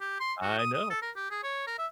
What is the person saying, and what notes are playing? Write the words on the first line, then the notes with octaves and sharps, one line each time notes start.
I know.
G4
C6
F#4
D#6
D#6
A4
A#4
G4
G#4
C#5
A#4
E5